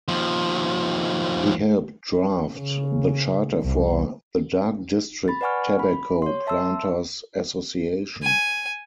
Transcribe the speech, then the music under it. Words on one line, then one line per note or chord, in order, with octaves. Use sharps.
He helped draft the charter for the Dark District Tobacco Planters Association.
D#2 F3
C#3
C2
B5 A6
B4 D5 F#5 G#5 C#6 F6
B5
C#5 C6
E5 A5 C6 E6
G#5